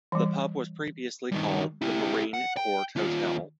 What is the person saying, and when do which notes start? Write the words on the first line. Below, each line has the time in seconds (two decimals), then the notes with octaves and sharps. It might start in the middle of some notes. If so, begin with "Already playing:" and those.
The pub was previously called the Marine Court Hotel.
0.12 E3 G3
1.32 G2 D#3
1.82 E4 G4
2.34 F#5
2.57 G5
2.96 D#2 F4